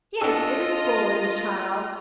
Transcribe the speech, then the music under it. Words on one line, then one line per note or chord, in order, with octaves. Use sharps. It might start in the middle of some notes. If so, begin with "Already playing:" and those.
'Yes; it is spoiling the child.
D4 F4 A4 D#5 E6